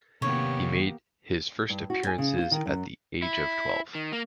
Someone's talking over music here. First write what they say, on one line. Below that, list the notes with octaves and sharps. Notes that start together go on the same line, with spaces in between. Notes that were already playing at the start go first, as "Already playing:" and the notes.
He made his first appearances at the age of twelve.
C3 D#3 A#3 B3 G4 C#5
G2
F#4
G#5
C#3
F4
D#3
F#2
E4
D#3
A#3